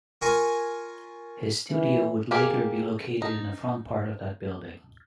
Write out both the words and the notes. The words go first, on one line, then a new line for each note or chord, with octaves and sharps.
His studio would later be located in the front part of that building.
F4 A#4 C#5 G#5
E3
A#3 G4 G#4
D#4